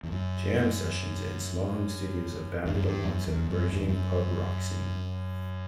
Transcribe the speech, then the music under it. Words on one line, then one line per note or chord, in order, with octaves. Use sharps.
Jam sessions and small home studios abounded alongside a burgeoning pub rock scene.
E2
F#2
E2
F#2
G2
F#2
E2
F#2
F#2
E2
F#2